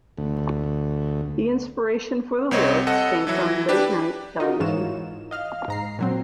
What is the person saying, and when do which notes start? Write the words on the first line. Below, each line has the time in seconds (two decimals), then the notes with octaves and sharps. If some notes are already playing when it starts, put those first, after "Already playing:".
The inspiration for the lyrics came from late-night television.
0.18 D2
2.51 C2 C4 C#5 D#5
2.87 A4 D#5 F#5
3.27 E3 F#3 E4
3.69 D4 G4 B4
4.40 D#4 F4 F#4 A#4
4.60 G#2 E3 F4 C#5 E7
5.31 D#5 F5 F6
5.68 G#2 A#5 C7
5.99 A#2 F#3 C4